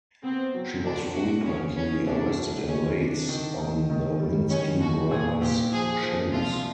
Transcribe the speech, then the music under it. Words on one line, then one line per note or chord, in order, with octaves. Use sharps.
She was frequently arrested in raids on the Minsky brothers' shows.
B3 C4
F#3
B2 D4
B2 F#4
B3 C#4
B3 C#4
C2 D4
F#3
D#3 C#4
C3 D4
D#3
D#3
D#3
G3
D#3 C#4
D#2 F#4
A#2 G#4
A#2 G4
F3 G#4
F3
C2 F4